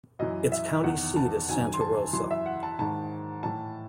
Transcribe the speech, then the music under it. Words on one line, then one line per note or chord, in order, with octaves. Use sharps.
Its county seat is Santa Rosa.
F#2 E3 D#5
E5
E2 D#3 F#5
A5
F#2 D#3 G#5
C6
A5
F#2 E3 C6
E5
F#5
A5
G#2 D#3 A5
A2 E3 A5